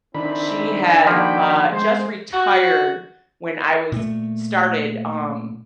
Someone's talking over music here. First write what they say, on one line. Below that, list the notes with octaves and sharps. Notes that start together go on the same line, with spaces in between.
she had, uh, just retired when I was started, um,
D#3 C4 D4 E4 B5
F3 A#3 F#4 G5
G#3 C5
F#4
A#2 A3